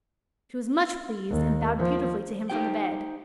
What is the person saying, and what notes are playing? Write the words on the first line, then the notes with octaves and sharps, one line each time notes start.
She was much pleased, and bowed beautifully to him from the bed.
D#2
F3
D#4 G4 C5 G5